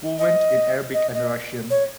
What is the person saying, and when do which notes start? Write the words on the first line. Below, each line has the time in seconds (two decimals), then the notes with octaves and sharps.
Fluent in Arabic and Russian.
0.19 D#5
0.94 D#5
1.14 D#5
1.70 C#5